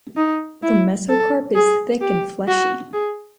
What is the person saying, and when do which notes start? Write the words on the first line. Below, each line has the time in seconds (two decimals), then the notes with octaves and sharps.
The mesocarp is thick and fleshy.
0.17 D#4
0.63 E4
1.09 A4
1.55 G#4
2.01 G4
2.47 F#4
2.94 G#4